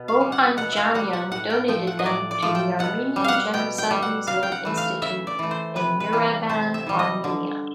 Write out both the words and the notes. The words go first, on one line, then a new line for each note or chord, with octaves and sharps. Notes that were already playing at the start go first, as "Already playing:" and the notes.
Ohandjanyan donated them to the Armenian Genocide Museum-Institute in Yerevan, Armenia.
Already playing: B2
F5
G3
F#5
B2 F#5
E5 F5
G3 F#5
F#5
A2 F#5
G5
F3 A3 G5
F#5
D#5
A2 D5
D5
F3 A3
G5
B2 F#5
G3
F5 F#5
B2 G5
G5
G3
F#5
C#3 F5
G5
F#5
E3 A3
F5
C#3 E5
D5
E3 A3
C5
C3 B4
B4
E3 G3
C3 C5
E5
E3 G3
D#5
D3